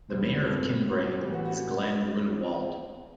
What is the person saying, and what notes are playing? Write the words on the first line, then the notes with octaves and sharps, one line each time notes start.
The mayor of Kinbrae is Glen Grunewald.
E2 C3 E3 B3 C5
B4
B4
G2 E3 A3 C4 A4
G2 F#3 B3
A2 E3 B3 G4
F#4
F#4